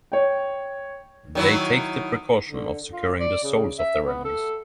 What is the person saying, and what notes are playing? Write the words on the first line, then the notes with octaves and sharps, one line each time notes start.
They take the precaution of securing the souls of their enemies.
C#5 G5
D#3 F#3 E4
D3
F4
D5
C#3
E5
B3
A4